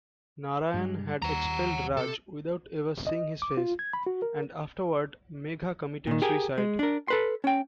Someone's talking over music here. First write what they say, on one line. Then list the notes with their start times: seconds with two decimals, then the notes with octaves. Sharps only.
Narayan had expelled Raj without ever seeing his face, and afterward Megha committed suicide.
0.74 G2 G3 G#3
1.22 D#2 F#5 A#5
1.97 C3 A4
3.07 D#5
3.42 D6
3.57 F4
3.79 G#6
3.93 B5
4.06 F#4
4.22 A#4
6.07 A#2 D#3
6.22 G4 G#4 A#4
6.58 G#3
6.79 D4 A#4
7.08 A4 B4 C6
7.44 C#4 G5